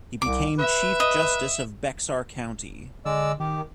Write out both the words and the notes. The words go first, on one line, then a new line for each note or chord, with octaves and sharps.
He became Chief Justice of Bexar County.
C2 D6
B4 E5
D#5
D3 G#3 D5 E6
D#3 G4